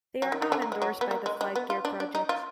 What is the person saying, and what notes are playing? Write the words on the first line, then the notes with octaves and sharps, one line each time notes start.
They are not endorsed by the "FlightGear" project.
F#3
D#3
D#3
D3
A#3
G#3
F#3
B3
A#3
G#3
G#3
B3
F4
D4
D4
D#4
F4